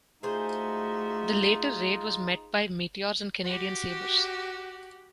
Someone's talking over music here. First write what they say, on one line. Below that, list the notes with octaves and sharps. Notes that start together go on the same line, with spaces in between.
The later raid was met by Meteors and Canadian Sabres.
A3 D#4 F4 F#4 G#4 C5 E5
F#4 G4